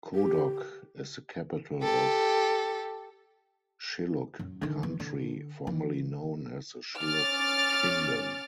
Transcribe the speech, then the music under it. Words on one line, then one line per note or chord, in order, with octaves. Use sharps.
Kodok is the capital of Shilluk country, formally known as the Shilluk Kingdom.
G4
G4 A4
F#2
D3 D#3
E3
D3
E3
C#4 D6 F6 A6